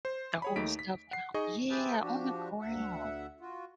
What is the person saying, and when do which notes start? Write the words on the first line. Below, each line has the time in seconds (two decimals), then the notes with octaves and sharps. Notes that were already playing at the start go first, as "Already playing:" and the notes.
The whole stuff out. Yeah, on the ground.
0.05 C5
0.42 G#4 C#5 B5
0.56 D#2 A3 D#4 B6 D7
0.79 B6
1.11 F#5 C7
1.34 D#4 G#4 D#5 C#6
1.70 G4 G#4 B4 C5 E5 A5
2.01 F3 D4 F#4 G4
2.61 D2 E5 F#5
3.41 F4 F#4